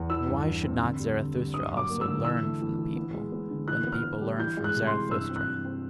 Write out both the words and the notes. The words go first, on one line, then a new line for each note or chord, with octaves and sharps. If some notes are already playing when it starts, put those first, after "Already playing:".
And why should not Zarathustra also learn from the people, when the people learn from Zarathustra?
Already playing: E2
E3 E6
G2
E3
C4
D3
G3
D3
G3
G2 D#6
F#3
D6
A#3
E6
D3
E3 E6
A3
E3
E3
B3
G#3
B3
D3
E3 F#6
B3
F6
B3
G3
E3 G6
G#3
F#6
C3
C6
E3
G2 E6
C4
F#6
E3
C4